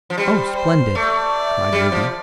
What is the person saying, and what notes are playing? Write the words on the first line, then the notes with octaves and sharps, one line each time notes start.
"Oh, splendid," cried Ruby.
F3
G3 C5
C5
A3 D5
G3
F3